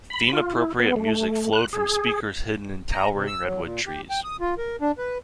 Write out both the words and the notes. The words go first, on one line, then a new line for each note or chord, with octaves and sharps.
Theme-appropriate music flowed from speakers hidden in towering redwood trees.
B5
F4
E4
B3
A3
F#6
G#4
A#5
C3
E6
F#3
A#2
G4
G5
D#6
F4
A#4
D4
B4